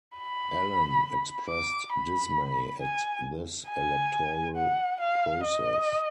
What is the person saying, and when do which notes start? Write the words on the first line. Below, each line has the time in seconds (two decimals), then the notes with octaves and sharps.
Alain expressed dismay at this electoral process.
0.18 B5
1.49 D6
1.93 B5
2.81 G#5
3.68 G#5
4.57 F#5
5.00 F5
5.44 D#5